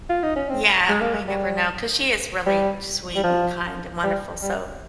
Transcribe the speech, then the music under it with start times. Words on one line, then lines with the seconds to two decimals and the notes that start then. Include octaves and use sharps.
Yeah, we never know 'cause she is really sweet, and kind, and wonderful, so
0.10 F4
0.23 D#4
0.36 C#4
0.49 C4
0.89 G#3
1.01 A#3
1.14 G#3
1.28 G3
2.46 G3
3.16 G3
3.24 F3
4.03 G3
4.42 G3